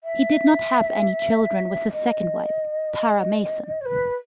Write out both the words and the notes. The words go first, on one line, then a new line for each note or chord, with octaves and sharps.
He did not have any children with his second wife, Tara Mason.
E5
D#5
C#5
B4